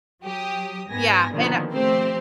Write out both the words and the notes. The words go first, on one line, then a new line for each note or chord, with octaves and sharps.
Yeah, and a
F#3 G4 D#6
G#2 B3 G#5 A#6
B2 D3 D#3 F3 A#3 B3
F3 A3 C4 G4 C5